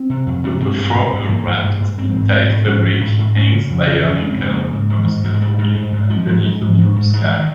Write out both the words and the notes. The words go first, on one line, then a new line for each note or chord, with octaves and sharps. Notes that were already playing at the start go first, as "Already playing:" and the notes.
A performer wrapped in tight fabric hangs by her ankle from a scaffolding underneath a blue sky.
Already playing: C4
C3
F2
C3
G2 C4
G2
G2
G2
G2 A#3
G2
G2
G2
G#2 C4
G#2
G#2
G#2
G#2 C#4
G#2
G#2
G#2
F2 C#4
C#3
F2
C#3
F2 C#4
C#3
C4
F2
A#3
C#3
G#2
G#2
G#2
G#2
G#3
G#2 G3
G#2
G#2
G#2
G#2 F3
G#2
G#2
G#2
G#2
G#2
G#2
D#3